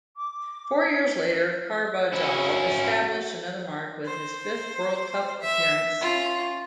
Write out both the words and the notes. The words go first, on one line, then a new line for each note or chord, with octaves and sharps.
Four years later Carbajal established another mark with his fifth World Cup appearance.
D6
C#4 E4 F#4
C5
E5
C#4 F4